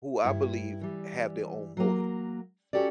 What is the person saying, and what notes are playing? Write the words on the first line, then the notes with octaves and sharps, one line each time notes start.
who I believe have their own motive.
G2 E4
E3 G3
F#3 A#3
C#4 F#4 G4 A4 D5